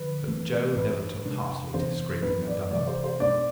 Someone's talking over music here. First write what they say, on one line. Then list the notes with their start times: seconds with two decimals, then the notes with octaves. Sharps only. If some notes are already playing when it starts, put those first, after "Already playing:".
But Joe never took heartily to scraping the dung up.
Already playing: D3 F3 D4 B4
0.28 E3 A3 C4
0.76 A2 E3 G#3 B4
1.25 C3 G#3 D4
1.74 C3 E3 B3 D4 C5
2.23 A2 E3 B3 D4 B4
2.47 D5
2.71 C3 E3 G#3 D5
2.87 C5
3.04 C5
3.20 B2 G#3 B3 D4 D5